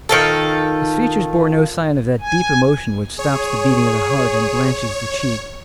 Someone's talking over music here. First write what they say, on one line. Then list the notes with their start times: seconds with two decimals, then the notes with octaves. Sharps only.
His features bore no sign of that deep emotion which stops the beating of the heart and blanches the cheek.
0.09 D#3 F4 A4
2.20 G#5
3.19 G#4 C#5